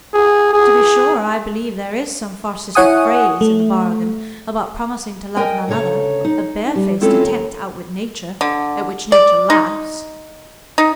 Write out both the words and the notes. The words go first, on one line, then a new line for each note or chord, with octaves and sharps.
To be sure, I believe there is some farcical phrase in the bargain about promising to love none other,--a bare-faced attempt to outwit Nature,--at which Nature laughs.
G#4
G#4
E4 C#5 F#5 G#5 D#6
A3
A#4 D#5 G5 G#5
D2 C#3 A4 C#5 A#5
D#4
G3
G#3 C4 C#4 E4 F4 A4
D#2 A#5
D3
D5
D#4
D#4